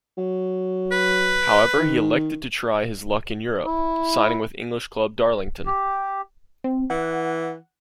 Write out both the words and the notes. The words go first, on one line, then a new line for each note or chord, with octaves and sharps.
However, he elected to try his luck in Europe, signing with English club Darlington.
F#3
B4
D#3
E4
G4
C4
E3 F#5